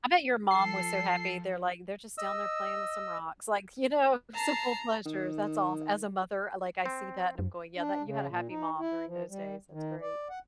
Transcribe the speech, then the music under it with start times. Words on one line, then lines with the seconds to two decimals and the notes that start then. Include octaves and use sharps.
I bet your mom was so happy there like, "They're just down there playing with some rocks, like, you know, simple pleasures, that's all." As a mother, like, I see that and I'm going, "Yeah, that" you had a happy mom during those days, that's great.
0.51 F3 A4 C7
2.18 D#5 E6
4.34 A5 A#5 C7
5.06 D#3
6.86 C4
7.39 F#2
7.77 D4
8.05 C#3
8.28 A#2
8.49 D#4
8.78 E4
9.07 F3
9.29 G3
9.71 D#3
10.01 D5
10.30 F#5